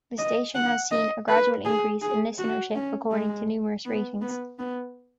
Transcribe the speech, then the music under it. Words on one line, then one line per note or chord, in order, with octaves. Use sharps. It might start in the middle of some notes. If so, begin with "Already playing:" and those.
The station has seen a gradual increase in listenership according to Numeris ratings.
D#5
F#5
D#5
B4
G#4
G#4
F#4
C#4
G#3
B3
B3
B3